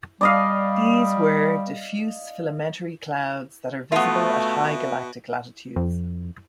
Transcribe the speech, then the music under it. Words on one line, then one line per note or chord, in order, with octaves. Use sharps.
These were diffuse filamentary clouds that are visible at high galactic latitudes.
G3 D5 D#5 F5
B2 A3 B3 F4 E5
F2